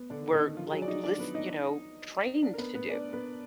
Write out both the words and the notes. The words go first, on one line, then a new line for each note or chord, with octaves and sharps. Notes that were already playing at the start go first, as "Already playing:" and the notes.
were, like, lis you know, trained to do.
Already playing: B3
D3 D4
D#3 D#4
F3 F4
G#4
F#3 F#4
D5
D#4 D#5
D4 D5
B3 B4
D#4 D#5
D4 D5
A#4
B3 B4
B3 B4
D4 D5
B3 B4